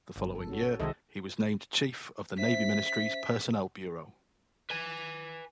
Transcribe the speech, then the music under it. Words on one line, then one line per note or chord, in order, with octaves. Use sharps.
The following year, he was named chief of the Navy Ministry's Personnel Bureau.
G1
A4
C#4 F#4 A4
C2 D#3 G#3 A4 D#5 E5
C#4 C5 E5 B6
B4 G#5